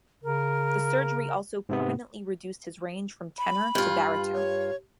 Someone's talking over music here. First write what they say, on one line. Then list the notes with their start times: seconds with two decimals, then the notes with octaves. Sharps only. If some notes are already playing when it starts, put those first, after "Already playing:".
The surgery also permanently reduced his range from tenor to baritone.
0.23 C#3 A#4
1.69 G#2 C3 B3
3.38 B5
3.75 G2 F4
4.34 C#5